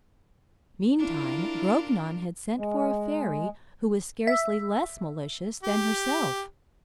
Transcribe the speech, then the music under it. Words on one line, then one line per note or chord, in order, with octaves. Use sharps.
Meantime, Grognon had sent for a fairy, who was scarcely less malicious than herself.
D4 E4 F4 A#4
G#3
E5
G4